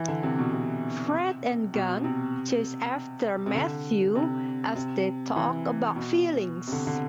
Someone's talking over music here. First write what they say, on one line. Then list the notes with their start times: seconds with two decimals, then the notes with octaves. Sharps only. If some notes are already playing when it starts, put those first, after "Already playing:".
Fred and Gunn chase after Matthew as they talk about feelings.
Already playing: E3
0.08 D3
0.23 C3
0.38 B2
0.53 C3
1.74 B2
2.04 C3
3.46 C3
3.55 D3
4.15 C3
4.75 C3
5.36 E3
5.96 B2
6.67 C3
6.72 D3
6.87 D3